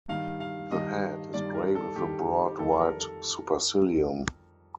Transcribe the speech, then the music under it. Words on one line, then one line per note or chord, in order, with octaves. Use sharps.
The head is grey with a broad white supercilium.
G2 D#3 G3 F5
F5
G2 D#3 G3 D#5
G2 D#3 G3 D5
A#4
A4
G2 D#3 G3 G4
F2 D#3 G3 A4
A#4
A4